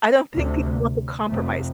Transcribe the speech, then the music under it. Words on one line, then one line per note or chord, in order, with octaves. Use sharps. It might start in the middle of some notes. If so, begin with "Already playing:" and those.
I don't think people want to compromise.
D2 C3
F1 F2 C3 A3